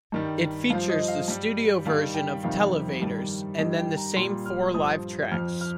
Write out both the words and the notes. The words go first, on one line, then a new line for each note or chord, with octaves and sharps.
It features the studio version of "Televators", and then the same four live tracks.
G2 D#3 G3
G2 F3 F5
D#5
F5
G2 G3
G2 D#3 G3 F5
G5
F2 C3 D#3 G3 F5
G2 D#3 G3
G2 D#3 G3 D#5
G5
A#5
A#2 G3 C6
F6
G2 F3 D#6
F2 F3 F6
F6